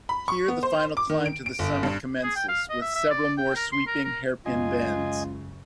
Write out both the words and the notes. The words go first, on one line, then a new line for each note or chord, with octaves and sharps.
Here the final climb to the summit commences, with several more sweeping hairpin bends.
B5
C#6
B3
C5
D6
D#3
D7
D7
G1
G2
G#4
G5
F5
D#5
E5
E5
D5
G5
A#4
C6
A#4
A#4
C#2 F#2 C#3 F4 D#5 G#5